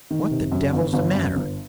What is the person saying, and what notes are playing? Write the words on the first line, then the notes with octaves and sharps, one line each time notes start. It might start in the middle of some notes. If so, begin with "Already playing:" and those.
What the devil's the matter?
D#3
C3
F#2
G1
G1
F#2
G1